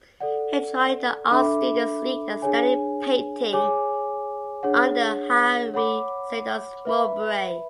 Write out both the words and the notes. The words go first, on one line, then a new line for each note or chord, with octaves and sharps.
He joined the Art Students League and studied painting under Harry Siddons Mowbray.
A4 D5 F#5
D4 A4 E5 B5 D6
D4 G#4 C#5 G#5
G#4 C#5 G#5 D6
D4 G#4 C#5 F#5
C#5 F#5 B5 D6
B4 E5 B5